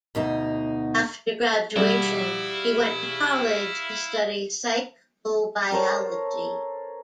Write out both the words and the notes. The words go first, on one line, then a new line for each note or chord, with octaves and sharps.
After graduation, he went to college to study psychobiology.
D2 B2 D#4
G3 E4 F#4 F5 B5
A4 A#4 C5 C#5